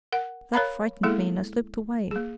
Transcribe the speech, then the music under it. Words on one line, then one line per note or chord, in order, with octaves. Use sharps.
That frightened me, and I slipped away.
A#4 F#5
A#4 C#5 F5 A#5 B5
G#3 A#3 B3 E4 G#4 A4
A#3 G#4